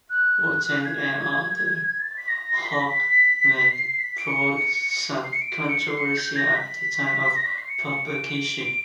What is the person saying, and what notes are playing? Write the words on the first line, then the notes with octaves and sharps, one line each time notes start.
Vultan and the other Hawkmen provoked some controversy at the time of publication.
F#6
G#6
A6
B6
A#6
C7
B6
A#6
B6
C7
B6
D7
C#7
C7
C#7
D7
D7
C#7
C7
C#7
G6
A#6
B6
A#6
B6
C7
C#7
C#7
D7